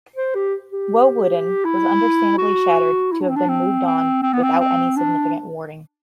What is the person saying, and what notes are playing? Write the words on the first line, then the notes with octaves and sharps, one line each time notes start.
Woewodin was understandably shattered to have been moved on without any significant warning.
C5
G4
G4
E4
F#4
E4
D4
C4
D4
C4
C4
C4
B3
C4
C4
D4